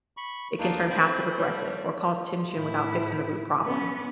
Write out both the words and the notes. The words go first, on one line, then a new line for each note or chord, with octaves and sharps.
it can turn passive aggressive or cause tension without fixing the root problem.
B5 C#6
D#2 A#3 D4 D#4 F4
A3 C4 C5 F5 B5
G3 C#5 C#6
A2 E4
B3 C#4